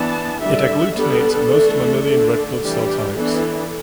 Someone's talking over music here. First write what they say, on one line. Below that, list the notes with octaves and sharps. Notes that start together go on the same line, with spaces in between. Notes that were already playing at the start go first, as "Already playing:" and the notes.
It agglutinates most mammalian red blood cell types.
Already playing: E3 B3 D4 A5
D3 G3 D4 E5
G3 B3 D4 A4
E3 A3 D4
D3 A3 D4
E3 G3 D4 G4
E3 B3 D4 A4